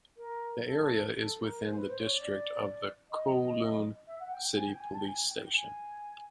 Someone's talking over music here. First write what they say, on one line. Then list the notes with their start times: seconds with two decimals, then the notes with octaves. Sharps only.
The area is within the district of the Kowloon City police station.
0.17 A#4
0.65 A4
0.78 A4
0.90 A4
1.15 A4
1.39 A#4
1.63 C5
1.76 B4
1.88 C5
2.00 C#5
2.13 D5
3.10 D#5
4.07 E5
4.20 F#5
4.32 G5
4.44 G5
4.57 G#5
4.69 G5
4.80 G#5
4.93 A5
4.99 G5
5.05 G#5
5.29 G5
5.54 G#5